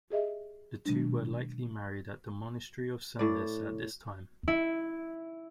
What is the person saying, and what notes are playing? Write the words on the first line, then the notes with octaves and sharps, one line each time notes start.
The two were likely married at the monastery of Senlis at this time.
G4 G#4 D#5 E5
B2 D#3 F#3 G#3 D4
A2 D5
E4